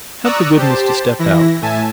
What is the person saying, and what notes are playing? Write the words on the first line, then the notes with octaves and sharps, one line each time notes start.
'Have the goodness to step out.'
D5 A#5 C#6 D#6 E6 F#6
G4 C5 A5
E3 E4 A#6
A2 E5 G#5 A5